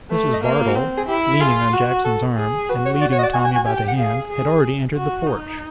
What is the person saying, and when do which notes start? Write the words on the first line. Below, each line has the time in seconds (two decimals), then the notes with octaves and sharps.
Mrs. Bardell, leaning on Jackson's arm, and leading Tommy by the hand, had already entered the porch.
0.10 A3 B4
0.33 D#5
0.44 A#3 E5
0.51 B4
0.59 F4
0.67 F#4
0.75 C4
0.97 G#4
1.08 E4 G4
1.40 F4 G#4
1.72 F#4
2.04 A4
2.37 G#4
2.69 F#4 B4
2.86 C#5
3.01 D5
3.12 C#5
3.18 D#5
3.23 D5
3.33 G#5
3.44 G#5
3.55 G#5
3.66 G4 G#5
3.77 G5
3.88 F#5
3.98 G#4 F5
4.30 G#4
4.95 F#4
5.27 D#4